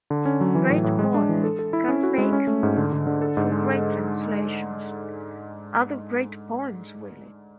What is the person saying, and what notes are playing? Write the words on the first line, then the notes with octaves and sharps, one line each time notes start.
Great poems can make for great translations, other great poems really.
D3
C#4
F#3
E3
A2
A2
G#3
D4
E3
A4
A4
E4
C#4
F#4
G#3
C#4
A3
G#2
D3
D3
D3
A4
G#2
G#3